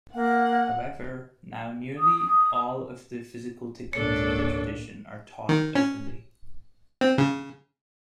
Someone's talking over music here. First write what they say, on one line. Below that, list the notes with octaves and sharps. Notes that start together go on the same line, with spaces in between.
However, now nearly all of the physical techniques of the tradition are taught openly.
A#3 F#5
D#6
G#1 C#2 A#2 D4 A4 C#5 C#7
D#3
C#4
C4
C#3